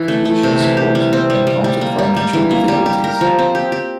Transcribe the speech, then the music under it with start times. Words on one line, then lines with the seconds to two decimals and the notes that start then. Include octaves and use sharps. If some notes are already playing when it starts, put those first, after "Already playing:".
Khayishan's court encountered financial difficulties.
Already playing: E3
0.08 A3
0.25 A3
0.43 C3
0.60 E3
0.77 G4
0.95 G3
1.13 C4
1.30 G3
1.47 G3
1.64 G3
1.81 A#3
1.99 G3
2.16 G3
2.33 E3
2.51 A#3
2.68 G3
2.86 G4
3.04 A#4
3.21 F3
3.39 C4
3.55 G4
3.72 G4